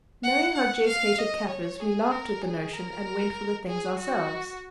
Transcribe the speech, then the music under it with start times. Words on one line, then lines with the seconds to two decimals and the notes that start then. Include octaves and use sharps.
Knowing how Jess hated kaffirs we laughed at the notion, and went for the things ourselves.
0.24 F#5
0.55 F#5
0.87 F5
1.18 D#5
1.49 C#5
1.80 G#4
2.12 A#4
2.42 G#4
2.73 A#4
3.67 G#4
3.99 F#4